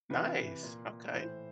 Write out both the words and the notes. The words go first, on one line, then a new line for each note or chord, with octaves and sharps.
Nice, okay.
C3 E3 B4
A#2
A2 E3 C5